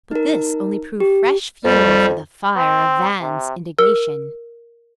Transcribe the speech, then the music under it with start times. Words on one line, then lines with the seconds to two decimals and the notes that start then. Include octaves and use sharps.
But this only proved fresh fuel for the fire of Van's indignation.
0.11 D#4 A#4
1.00 G4
1.65 F2 G3
2.56 C4
3.21 C3
3.79 A#4 E6